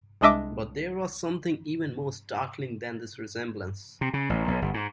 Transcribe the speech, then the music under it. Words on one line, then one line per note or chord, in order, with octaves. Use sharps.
But there was something even more startling than this resemblance.
C2 G#3 D4 D#5 E5 D6
C3
C#3
A1
B1
G1
G#2